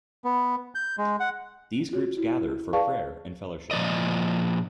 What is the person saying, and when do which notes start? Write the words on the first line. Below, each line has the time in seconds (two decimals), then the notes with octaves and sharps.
These groups gather for prayer and fellowship.
0.24 B3
0.75 G6
0.98 G#3
1.20 F#5
1.92 F4 F#4 C#5
2.17 E4
2.73 G#4 B4 D5 F5 A5 C#6
3.71 A#2 F3 G3 D5 D#5